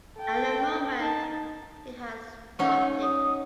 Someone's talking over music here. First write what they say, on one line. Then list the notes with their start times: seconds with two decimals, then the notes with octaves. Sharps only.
At the moment, he has stopped it!
0.18 A4 G5
0.99 D#4 A5
2.59 C#4 D#4 F#5
3.03 D#6